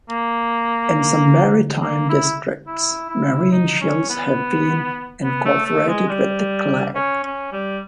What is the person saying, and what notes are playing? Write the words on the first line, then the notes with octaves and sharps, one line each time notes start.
In some maritime districts, marine shells have been incorporated with the clay.
A#3
A#3
E4
E4
E4
D#4
C#4
B3
B3
A3
A3
G#3
G3
C#4
C#4
G3